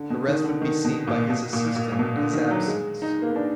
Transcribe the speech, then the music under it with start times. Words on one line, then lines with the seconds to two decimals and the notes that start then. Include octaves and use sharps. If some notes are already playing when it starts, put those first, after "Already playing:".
The rest would be seen by his assistant in his absence.
Already playing: D3
0.10 B2
0.27 D#3
0.44 D3
0.62 D#3
0.84 B2
1.07 A#2
1.30 B2
1.53 A#2
1.76 A#2
1.92 A#2
1.99 B2
2.16 D3
2.33 D#3
2.51 F#3
2.68 G#3
3.02 D#4
3.22 A#3
3.29 B3
3.36 D4